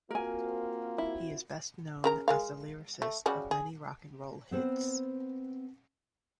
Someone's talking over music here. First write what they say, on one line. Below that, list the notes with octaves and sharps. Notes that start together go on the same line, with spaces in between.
He is best known as the lyricist of many rock and roll hits.
A#3 C4 F4 F#4 A#4 G#5
E4
C#3 A#4 A#5
G#3 A#4 F5
A3
C#3 G3 F#4
G#4
B3 C4 C5